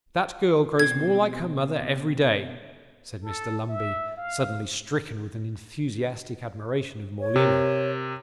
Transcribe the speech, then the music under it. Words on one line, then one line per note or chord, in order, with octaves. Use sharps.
'That girl grows more like her mother every day,' said Mr Lumbey, suddenly stricken with an enthusiastic admiration of Morleena.
B2 C4 G#6
A4
E5
F5
C#5
C3 A#4